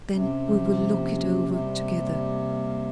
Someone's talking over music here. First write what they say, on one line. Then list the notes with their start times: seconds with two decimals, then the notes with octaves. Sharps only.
Then we will look it over together.
0.14 C3 C#4
0.31 G4
0.48 F3
0.65 F3
0.82 A#3
0.99 G4
1.16 C#4
1.32 G4
1.49 C3 G3
1.66 G3
1.83 A#3
2.00 G3
2.16 G3
2.34 A#3
2.50 A#3
2.67 A#3